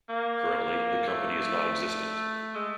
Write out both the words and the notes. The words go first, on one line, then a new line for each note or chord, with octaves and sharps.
Currently, the company is not existent.
A#3
A3
G#3